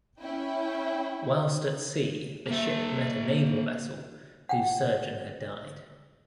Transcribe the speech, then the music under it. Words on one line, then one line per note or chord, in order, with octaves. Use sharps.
Whilst at sea the ship met a naval vessel whose surgeon had died.
C#4 E4 G5
A#3 E5
F#5 G5